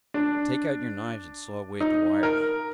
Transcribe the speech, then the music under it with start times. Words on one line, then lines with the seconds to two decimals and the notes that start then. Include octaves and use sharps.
Take out your knives and saw away at the wires.
0.14 D4
1.81 D#4
2.23 A#4